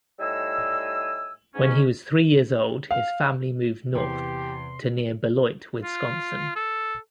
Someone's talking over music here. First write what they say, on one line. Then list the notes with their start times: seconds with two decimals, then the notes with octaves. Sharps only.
When he was three years old his family moved north to near Beloit, Wisconsin.
0.19 A2 G3 D#4 G#5 E6
1.54 G#2 C#4
2.91 F5
3.95 E2 C3 G4 C6
5.83 F4
6.56 A4